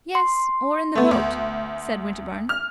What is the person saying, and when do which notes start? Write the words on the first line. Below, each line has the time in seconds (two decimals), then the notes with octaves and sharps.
"Yes, or in the boat," said Winterbourne.
0.15 C6
0.95 A3 B3
1.11 D2
2.49 F6